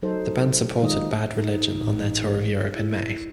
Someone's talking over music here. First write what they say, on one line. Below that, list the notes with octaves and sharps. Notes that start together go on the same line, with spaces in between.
The band supported Bad Religion on their tour of Europe in May.
F#3 D#4 A4 C5
D#3 G#3 D#4 F4 D#5
D#4
A1
E4